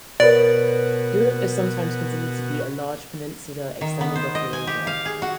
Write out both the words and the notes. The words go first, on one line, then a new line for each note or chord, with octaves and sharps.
Europe is sometimes considered to be a large peninsula extending off Eurasia.
B2 F#4 A#4 B4 C#5 D5 D7
D#3
B3
C5
D#5
G#5
G4
F5
G#4
F#4